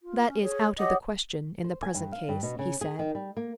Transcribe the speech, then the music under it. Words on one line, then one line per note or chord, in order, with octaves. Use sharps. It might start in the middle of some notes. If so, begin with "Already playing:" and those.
"That is out of the question in the present case," he said.
F4
C#4
G#4 C#5
G4 C#5 D#5 F#5 D#6
C5
G#5
G2
F5
G2
B2
C#3
G#4
D#3
G3
A#3